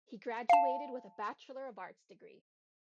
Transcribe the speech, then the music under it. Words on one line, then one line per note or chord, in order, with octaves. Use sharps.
He graduated with a Bachelor of Arts degree.
F5 A5